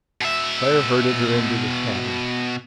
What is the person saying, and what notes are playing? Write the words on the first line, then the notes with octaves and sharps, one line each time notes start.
Claire herded her into the cabin.
B2 E5